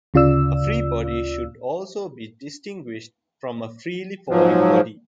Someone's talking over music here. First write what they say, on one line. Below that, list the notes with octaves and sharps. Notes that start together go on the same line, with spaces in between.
A "free body" should also be distinguished from a "freely falling body".
D2 C#3 F4 D5 E6
G#2 F3 F#3